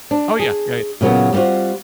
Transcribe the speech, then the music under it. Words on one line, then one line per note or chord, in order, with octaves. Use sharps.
Oh, yeah, yeah.
D4
G#4
A#2 C#3 F#3 A#3 B3
G3 B3 C4 F4 F#4